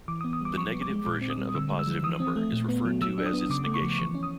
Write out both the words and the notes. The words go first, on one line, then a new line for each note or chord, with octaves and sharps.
The negative version of a positive number is referred to as its negation.
E3 D6
D#6
B3
D#6
G3 D6
F3 C#6
B3
D6
G#3
A#2 D6
C4
D#6
G3
D3 E6
G#3
E6
F3
E3 D#6
C4
A3
A#2
B3
F#3
F#3 E6
D4
D#6
B3
C#3 D6
A3 D6
C#6
F3
E3 C#6
C#4
D#6